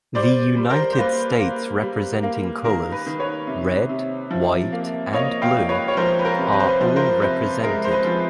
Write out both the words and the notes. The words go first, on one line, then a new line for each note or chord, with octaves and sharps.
The United States representing colors, red, white and blue, are all represented.
G3 C5 D5
G3
A#4 C5
C5
A#3 B4
A#3
G3
A#3
D#3 A#4
B4
D#3
B4 C#5
C3
C3
F3
A#3
A#3 C#5 D#5
F5 G5
A#3
B4 C#5
C#5
F3 A#4 C5
B4
A#4
C3
B4
C5
B4
F3 C5
B4
A#4 C5
C3 B4
G#3 A#4
C5
B4
F3